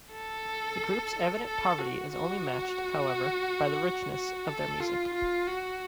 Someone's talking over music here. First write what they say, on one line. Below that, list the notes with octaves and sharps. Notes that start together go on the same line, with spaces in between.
The group's evident poverty is only matched, however, by the richness of their music.
A4
A4
F#4
F#4
F#4
A4
F4
F4
F#4